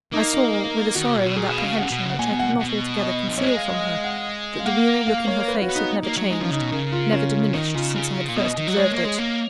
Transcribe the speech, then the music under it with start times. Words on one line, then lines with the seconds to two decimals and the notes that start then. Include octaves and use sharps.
I saw, with a sorrow and apprehension which I could not altogether conceal from her, that the weary look in her face had never changed, never diminished since I had first observed it.
0.13 A#3 D#4
0.33 D#4
0.95 D#3 F#4
1.06 C#3
1.16 A#2
1.26 B2 F#4
1.36 A#2 G#4
1.50 B2
1.57 F5
1.64 C#3
1.78 F#5
1.91 B2
2.05 C#3 F#5
2.19 A#2 G#5
2.32 B2
2.39 F#5
2.60 B2
3.01 D#5
3.28 F3
3.36 F#3 C#5
3.42 G#3 D#5
3.56 F5
3.70 D#5
3.83 F5
4.04 F#5
4.59 F5
4.66 A#3 F#5
5.07 F5
5.28 C#5
5.48 B4
5.62 F#4
5.69 B3
5.76 D#4
6.03 A#3
6.17 F#3
6.30 G#3 D#4
6.40 F3 C#4
6.51 C#3 D#4
6.61 B2
6.72 C#3 A#4
6.92 F4
7.12 C#4
7.53 D#3 D#4
7.75 C#3 F4
7.96 C#3
8.29 A#2
8.36 B2 D#5
8.57 D#3
8.67 F#3
8.77 G#3 C#5
8.91 A#3
8.98 C#5
9.04 G#3
9.18 A#3